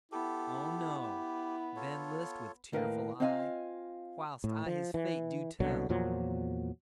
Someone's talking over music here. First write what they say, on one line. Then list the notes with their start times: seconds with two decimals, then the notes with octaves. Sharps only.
O no. Then list with tearful eye, Whilst I his fate do tell.
0.12 B3 E4 G4 A4
1.03 G4
1.76 F4 A4 C#5
2.72 D#2 A2 A#4 B4 F5
3.20 C4 F4 D#5 F5 F#5 G#5
4.44 A2
4.66 F3
4.94 E3
5.60 C2 B2 D3 F#3
5.89 E2 A#2 F3 F#3